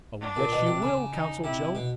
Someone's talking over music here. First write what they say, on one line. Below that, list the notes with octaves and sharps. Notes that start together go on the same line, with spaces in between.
"Oh, yes, you will," counseled Joe.
D4
A#2
B2
C3
C#3
D#4
C3 E4
B2